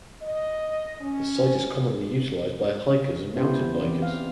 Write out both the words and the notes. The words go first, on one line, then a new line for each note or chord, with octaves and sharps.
The site is commonly utilized by hikers and mountain bikers.
D#5
C#4
B3 C#4 E4 G4 C5
E3 C4 D5
F5